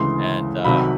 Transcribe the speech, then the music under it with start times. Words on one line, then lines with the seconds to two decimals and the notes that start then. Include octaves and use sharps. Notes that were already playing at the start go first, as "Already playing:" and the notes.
and uh
Already playing: D2 C#3 E3 G#3 C6
0.64 C2 C3 D#3 F#3 B5